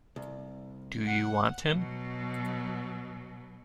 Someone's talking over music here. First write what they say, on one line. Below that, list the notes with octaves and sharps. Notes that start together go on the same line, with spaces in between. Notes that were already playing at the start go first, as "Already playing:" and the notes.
Do you want him?
C2
F#5
B2 F#3